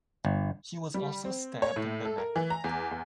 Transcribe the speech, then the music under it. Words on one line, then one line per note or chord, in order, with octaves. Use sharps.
He was also stabbed in the neck.
G1
G3
C4
C#5
A2
A4
A#4
E3
A#5
E2
E2